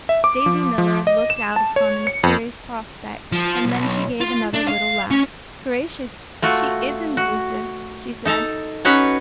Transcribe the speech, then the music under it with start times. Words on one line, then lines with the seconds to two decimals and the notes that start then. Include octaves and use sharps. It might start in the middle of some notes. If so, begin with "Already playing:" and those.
Daisy Miller looked out upon the mysterious prospect and then she gave another little laugh. "Gracious! she IS exclusive!" she said.
0.09 E5
0.24 D6
0.46 F3
0.78 F3
1.07 D#5
1.30 E7
1.56 A5
1.76 C#5
2.07 C#7
2.23 F2
3.32 F3
3.66 B1
4.21 F4
4.53 D4
4.67 F5
5.11 C#4
6.42 A3 F4 F#4
7.17 F#4
8.25 D#4 A4 A5 A#5
8.85 C#4 D#4 F#4 B4 C#5